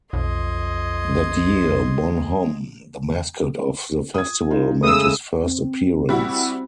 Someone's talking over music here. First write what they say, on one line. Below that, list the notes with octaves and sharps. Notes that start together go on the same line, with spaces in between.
That year "Bonhomme", the mascot of the festival, made his first appearance.
B1 F2 D#5 C6 G#6
D#6 G#6
D#4 F4
C#3 G#3 A3 D#6 E6
C4
G3 E4 F#4